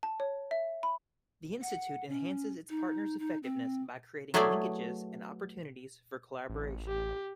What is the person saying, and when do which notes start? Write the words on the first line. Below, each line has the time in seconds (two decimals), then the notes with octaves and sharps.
The institute enhances its partners' effectiveness by creating linkages and opportunities for collaboration.
0.03 A5
0.20 C#5
0.51 E5
0.83 B5
1.62 F#5
2.09 C#4
2.69 D#4
3.19 D#4
3.43 C4
4.34 F#3 A3 B3 E4 G#4 D5
6.49 A1
6.88 G4